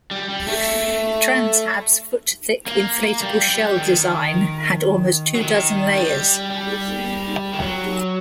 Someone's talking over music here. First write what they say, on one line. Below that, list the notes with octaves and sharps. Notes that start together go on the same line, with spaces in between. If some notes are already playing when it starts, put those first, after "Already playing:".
TransHab's foot-thick inflatable shell design had almost two dozen layers.
G3
G3
A3
A#3
G3
G3
D#3
F#3
D#3
G3
G3
D#3
F#3